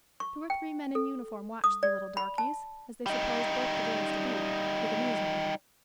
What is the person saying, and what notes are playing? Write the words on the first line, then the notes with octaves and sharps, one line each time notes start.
Two or three men in uniform watched the little "darkies," as they supposed both the girls to be, with amusement.
C#6
G5
A4
D#6
D5
B5
A5
G3 D#4